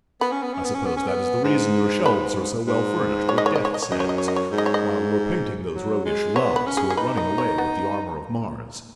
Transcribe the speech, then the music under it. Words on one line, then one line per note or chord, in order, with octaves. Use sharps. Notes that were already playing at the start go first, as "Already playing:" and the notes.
I suppose that is the reason your shelves are so well furnished with death's-heads, while you are painting those roguish Loves who are running away with the armour of Mars.
B3 B4
C#4
B3
C#4
B3
C#4
B3
C#4
B3
G#2
B4
G#2
C#5
D#5
C#5
D#5
C#5
D#5
C#5
F#2 D#5
C#5
D#5
C#5
D#5
C#5
G#2
D#5
C#5
D#5
F#3
G#3
B3 C#5
B4
C#4
G#4
G#4
D#4 B4
D#5
C#5
B3